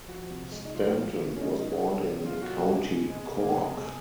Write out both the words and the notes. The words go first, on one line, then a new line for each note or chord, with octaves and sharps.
Stanton was born in County Cork.
F3 F#4
C3
G#3
D#4
F3 F4
G#3
C3
C#4
F#3 D#4
D#4
C#4
F#4
C3
C#4
F#3 F4
F#4
C3
A#3
C3 G#3
C3
G#3
C3
A#3
F3 G#3
G#3
C3
G#3